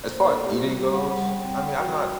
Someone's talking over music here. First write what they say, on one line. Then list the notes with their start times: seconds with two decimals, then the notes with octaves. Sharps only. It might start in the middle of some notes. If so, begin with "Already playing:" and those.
As far as eating goes, I mean, I'm not
0.09 A#3 C5
0.26 D4 A4
0.43 C4 G4
0.59 G3 F#4
0.77 G3 G4
0.93 G3 F#5
1.10 G3 F#5
1.27 G3 G5
1.43 C4 G5
1.55 F#5
1.60 G3
1.66 G5
1.78 F#4
1.94 F#4